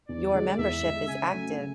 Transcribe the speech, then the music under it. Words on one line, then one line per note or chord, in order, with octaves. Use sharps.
Your membership is active.
E2 D5
D3 G#3 D4 G#4
E2 E5
D3 G#3 D4 G#4
C#3 G#5
F#3 A3 C#4
C#3